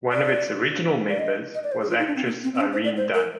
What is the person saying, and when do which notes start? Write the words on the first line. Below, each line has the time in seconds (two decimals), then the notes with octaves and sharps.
One of its original members was actress Irene Dunne.
0.12 D5
1.09 D5
1.19 D#5
1.54 D#5
1.64 D5
1.72 C5
1.81 G#4
1.89 F4
1.99 D#4
2.07 D4
2.16 C4
2.25 A#3
2.43 C4
2.55 C4
2.61 D4
2.73 C5
2.85 D5
2.97 C5
3.14 A#4